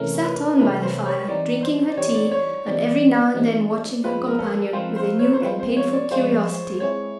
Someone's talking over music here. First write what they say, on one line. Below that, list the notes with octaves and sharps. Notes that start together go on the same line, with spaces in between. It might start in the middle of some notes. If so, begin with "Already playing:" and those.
She sat on by the fire, drinking her tea and every now and then watching her companion with a new and painful curiosity.
Already playing: C3 E3 A3 C#4 A#4
B4
C3 E3 A3 C#4 B4
C5
C#5
E3 G3 C4 D#4 D5
C5
D5
E3 G3 C4 D#4 C#5
C#5
D5
C#5
E3 G3 C4 D#4 D5
D5
E3 G3 C4 D#4
F3 G#3 C4 F4 B4
A#4
A4
F3 G#3 C4 F4 C5
C5
C#5
C5
F3 G#3 C4 F4 B4
C5
C#5
D5
F3 G#3 C4 F4 C5
G#3 C4 E4 G#4 C#5